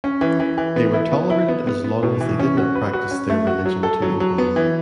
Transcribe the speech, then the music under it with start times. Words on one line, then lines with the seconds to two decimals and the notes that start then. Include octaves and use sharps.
They were tolerated as long as they did not practice their religion too openly.
0.04 C#4
0.21 E3
0.40 E3
0.58 E3
0.76 B3
0.94 E4
1.11 B3
1.30 E4
1.48 B3
1.67 B3
1.84 B3
2.03 B2
2.21 E3
2.39 C#4
2.57 F#4
2.75 B4
2.93 F#4
3.11 C#4
3.30 A3
3.47 F#4
3.65 F#3
3.83 A4
4.02 F#3
4.20 F#3
4.38 B3
4.56 E3